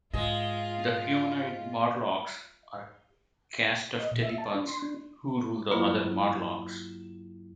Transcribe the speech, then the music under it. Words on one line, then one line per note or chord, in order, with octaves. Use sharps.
The humanoid Morlocks are a caste of telepaths who rule the other Morlocks.
G#2 G#3 F4 D#5
D#5
A#2
E5
A5
D4
C6
D4
G2 F#3 A#3 E4 F4